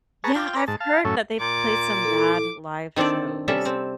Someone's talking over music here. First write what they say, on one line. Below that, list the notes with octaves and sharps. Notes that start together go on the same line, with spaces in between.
Yeah, I've heard that they've played some bad live shows.
G#4 B4 A5 A#5 C#6
F4 G5
B4 D5 A#5
G#2 A5
F5 A5
F#2 A2 C#4 A4
A#2 D6
E4 A4
D#3 C4 D4 A4 D5
C3 G3 C#4 A4 E5
C4